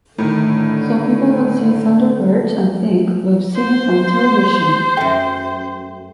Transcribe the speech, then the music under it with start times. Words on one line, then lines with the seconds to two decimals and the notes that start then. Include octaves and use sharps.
So people would see "Thunderbirds" and think, 'We've seen it on television.
0.18 A2 D3 D#3 A3 A4
3.55 C5
4.97 F#2 A3 G5